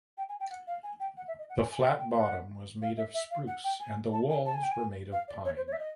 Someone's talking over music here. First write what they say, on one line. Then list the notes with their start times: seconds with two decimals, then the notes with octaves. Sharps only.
The flat bottom was made of spruce and the walls were made of pine.
0.18 G5
0.29 G#5
0.40 G5
0.51 F#5
0.67 F5
0.84 G#5
1.00 G5
1.17 F#5
1.28 E5
1.39 D#5
1.50 F#5
1.60 G#5
1.72 G#5
1.82 G5
1.99 G5
2.16 F#5
2.82 F5
2.97 E5
3.14 E5
3.31 F5
3.47 F#5
3.64 G5
3.80 G#5
4.13 A5
4.30 G#5
4.46 A5
4.54 G#5
4.63 G5
4.72 G#5
5.12 F5
5.28 D5
5.45 C#5
5.57 C5
5.67 C#5
5.73 E5
5.79 D#5